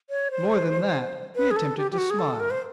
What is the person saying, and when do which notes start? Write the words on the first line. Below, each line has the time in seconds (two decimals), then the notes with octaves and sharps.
More than that, he attempted to smile.
0.10 C#5
0.31 C5
1.36 B4
1.51 G#4
1.56 A4
1.77 G4
1.91 G4
1.98 F#4
2.10 G#4
2.19 A4
2.40 A#4
2.51 C5